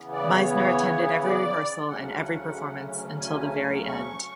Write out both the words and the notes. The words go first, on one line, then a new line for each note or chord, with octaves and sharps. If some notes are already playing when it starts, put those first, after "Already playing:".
Meisner attended every rehearsal and every performance until the very end.
Already playing: C#3 E3 B3
D5
C#5
C#5
D5
D2 C#3 F#3 A3 C#4 F#5
G#5
C#6